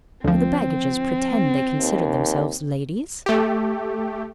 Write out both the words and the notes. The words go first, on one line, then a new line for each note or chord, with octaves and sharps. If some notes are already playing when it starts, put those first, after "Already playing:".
Did the baggages pretend they considered themselves ladies?
D2 F3 C4
D#2
A3 G4